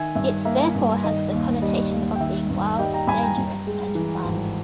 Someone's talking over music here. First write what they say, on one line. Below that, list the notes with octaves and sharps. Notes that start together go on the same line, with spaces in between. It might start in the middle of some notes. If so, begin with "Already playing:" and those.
It therefore has the connotation of being wild, dangerous, and fun.
Already playing: D#3 E5 G#5
G2 E5
A#3 E5
G2
D#3 D#5
D#2
G3 D#5
D#2
G5
D#3 E5
G2
G3 D#5 G5
G5 A#5
G2 G#5 B5
G5 A#5
G2
G#3
E3
G#1